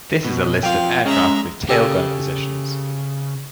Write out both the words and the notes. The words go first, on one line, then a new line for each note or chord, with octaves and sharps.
This is a list of aircraft with tail gun positions.
B2
F2 F3 F5 G5
G#3 C#4 E5 A#5
C#3 G4 A4 G#5